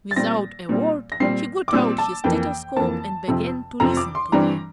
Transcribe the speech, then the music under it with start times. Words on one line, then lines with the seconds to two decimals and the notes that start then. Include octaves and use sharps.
Without a word he got out his stethoscope and began to listen to me.
0.11 A6
0.16 A#2 G3 C4 A#6
0.69 A#2 G3 C4
1.12 A#6
1.20 A#2 G3 C4 C7
1.68 D6
1.72 A#2 G3 C4 E6
1.98 A5
2.24 F2 E3 A#3 G5
2.76 F2 E3 A#3 A5
3.28 F2 C3 F3 C4
3.80 F2 C3 F3 C4 A#5
3.97 D6
4.15 C6
4.32 G2 E3 G3 C4 A#5